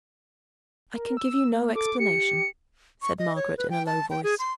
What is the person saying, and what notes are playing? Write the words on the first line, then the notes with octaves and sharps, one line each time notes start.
'I can give you no explanation,' said Margaret, in a low voice.
A#4
E6
A#3
A4 D6
G4 C#7
C#6
D#5
C#5
B4
G5
A5
G5
G#4
C6